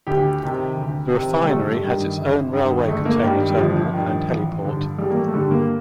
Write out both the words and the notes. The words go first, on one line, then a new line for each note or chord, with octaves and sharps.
The refinery has its own railway container terminal and heliport.
D2 G4
C3 D#3
D2
C3 D#3
G3
G1 A3
G3
G2 D#3
G1
G2 D#3
G1 A3
A#3
G2 D#3 G3
G3
G1 F3
G2 D#3
A1
G2 D3
A1 G3
A#3
A3
A3
G2 D3 G3
A#3